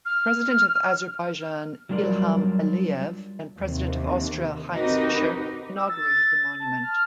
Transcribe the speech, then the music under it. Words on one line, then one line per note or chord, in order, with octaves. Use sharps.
President of Azerbaijan Ilham Aliyev and president of Austria Heinz Fischer inaugurated the monument.
F6
F#3 G3 D4 F4 A#4 D5
D#2 C3
C4 D#4 F#4 G4 A#4 B4
E6
A6
A5
F6